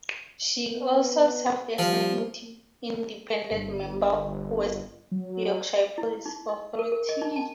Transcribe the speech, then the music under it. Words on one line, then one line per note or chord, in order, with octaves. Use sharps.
She also served as an independent member of the West Yorkshire Police Authority.
B3
F3 G3
G1
F#3
E4
D#4
D#5
A#4
A#4
D#5
D#4
A5